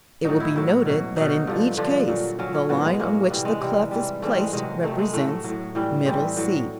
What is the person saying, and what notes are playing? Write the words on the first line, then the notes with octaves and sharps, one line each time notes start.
It will be noted that in each case the line on which the clef is placed represents "middle C."
A2 F#3 D#4
E4
A2 F#3 E4
B2 F#3
B2 F#3 D#4
G2 D3 F3
G2 D3 F3 D4
A#2 F#3
A#2 F#3 C#4
C#4
A2 F#3 B3
G#3
A2 F#3 A#3
C3 E3 G3 B3
G#3
C3 E3 G3
G#2 E3 G3
G#2 E3 G3 A3
G#3
C3 D#3 F#3 G#3
C3 D#3 F#3 A3
G#3
A2 F#3 A3
A2 F#3
A2 E3 G3
A2 E3 G3 C4
A2 F#3